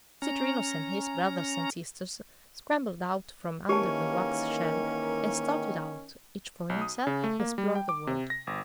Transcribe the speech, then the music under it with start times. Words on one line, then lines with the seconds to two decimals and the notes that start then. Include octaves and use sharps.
Citrinus and his brothers and sisters scrambled out from under the wax shell and started out each for himself to explore the world.
0.22 C#4 A#5
3.69 G#2 D#3 E3 A#3 C#4 G4 A5
6.69 B1
6.82 D#6
7.07 C#3
7.24 A3
7.40 A#3
7.58 G3
7.75 G5
7.89 D6
8.07 C3
8.30 A#6
8.47 G1